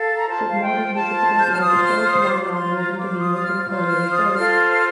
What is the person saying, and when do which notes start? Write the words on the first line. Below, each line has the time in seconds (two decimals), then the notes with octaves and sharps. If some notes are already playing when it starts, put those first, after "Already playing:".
"Sigmodon hispidus" was the first model organism to be used in polio research.
Already playing: A4 F5
0.15 A#5
0.26 F4 C5 A5
0.49 F5
0.61 G5
0.94 F4 C5 A5
1.40 G6
1.52 F6
1.62 F4 C5 D#6
1.85 F6
2.08 D#6
2.30 F4 C5 D6
2.44 D6
2.53 C6
2.76 A#5
2.98 F4 C5 D6
3.21 D#6
3.35 D#6
3.44 F6
3.66 F4 C5
3.88 F6
4.12 D#6
4.34 F4 A4 C5 F6
4.51 F6
4.67 F6